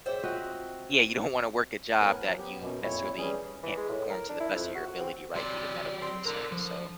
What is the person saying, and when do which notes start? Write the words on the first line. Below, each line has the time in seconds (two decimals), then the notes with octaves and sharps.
Yeah, you don't wanna work a job that you necessarily can't perform to the best of your ability, right, due to medical concerns, so,
0.06 G#4 C5 C#5 D#5 E5 G5
0.23 C4 F4 F#4 D#5 G#5
1.99 A2 B3 A#4 G#5 F#6
2.23 F3 F#3
2.38 B3 G4
2.60 F#2 B2
2.82 F2 A#2 E4 C#5
3.18 E3 G3 C#4 G#4
3.63 E3
3.77 G#3
3.89 A2
4.10 A#4
4.29 D4
4.40 E4
4.55 F2
4.75 F#4
4.88 F#4
5.00 C4
5.35 C3 F#3 D5
6.02 C4
6.25 D3 A#4 D5
6.52 F3